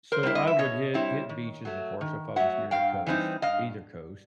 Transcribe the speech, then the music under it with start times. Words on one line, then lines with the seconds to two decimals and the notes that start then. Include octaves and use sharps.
so, I would hit hit beaches, of course, if I was near the coast, either coast.
0.12 A#4 C5
0.23 G3 C4 E4
0.35 D#5
0.47 E5
0.59 B2 C#5 D#5
0.94 G3 C4 E4
1.29 D#3
1.65 F#3 A3
2.01 D#3
2.36 F#3 A3 E5 F#5
2.71 G2 F5 G5
3.07 E3 G3 C4 D#4
3.42 G2 D#5 F5